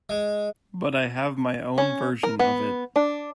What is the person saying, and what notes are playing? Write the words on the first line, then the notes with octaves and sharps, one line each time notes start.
But I have my own version of it.
G#3
C#4
A#4
B3
D4